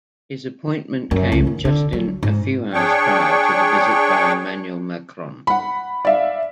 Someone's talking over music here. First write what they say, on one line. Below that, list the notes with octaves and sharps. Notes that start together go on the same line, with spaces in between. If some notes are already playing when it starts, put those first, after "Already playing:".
His appointment came in just few hours prior to the visit by Emmanuel Macron.
F#2
C#2
D#3
D3
F#3
G#2
D4 G#4 C#5 G5 C#6
F#5 B5
D5 E5 F5